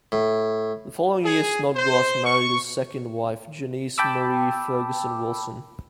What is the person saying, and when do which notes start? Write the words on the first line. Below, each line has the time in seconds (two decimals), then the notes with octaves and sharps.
The following year Snodgrass married his second wife, Janice Marie Ferguson Wilson.
0.12 A2
1.24 G#4
1.76 C5
2.24 C#6
3.98 G5 A5 B5 D6 E6